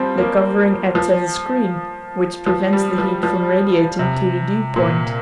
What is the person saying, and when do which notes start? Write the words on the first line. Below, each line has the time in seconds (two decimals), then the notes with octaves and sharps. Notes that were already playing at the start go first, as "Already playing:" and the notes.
The covering acts as a screen, which prevents the heat from radiating to the dew point.
Already playing: F3 G3 C4
0.18 A#3
0.95 F3
2.46 F3
2.73 G3
2.98 F3
3.23 F3
3.99 C3
4.76 A#2